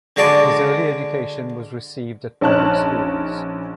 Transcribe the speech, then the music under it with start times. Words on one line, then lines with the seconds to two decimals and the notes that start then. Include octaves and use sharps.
His early education was received at public schools.
0.16 D3 G#3 F#4 D5 A5 D6
2.41 A#1 C#4 D#4 A5 F6 F#6